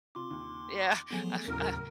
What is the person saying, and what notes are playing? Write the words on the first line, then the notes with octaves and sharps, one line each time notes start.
Yeah, I I
C3 F4 C6 D6
D#2
F3 F#3 A3 B3 G#4 G#5
D#2 A2 C#3 F#3 A#4